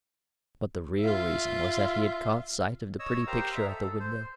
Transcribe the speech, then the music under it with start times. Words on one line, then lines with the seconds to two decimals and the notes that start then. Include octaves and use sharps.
But the real reason was that he had caught sight of the pretty picture at the window.
1.00 F4 E5
2.99 C#5 D#5 E6
3.27 G4 A#4 C5 F5 A#5 E6
3.55 D#5 E5 A#5
3.68 A4
4.00 C5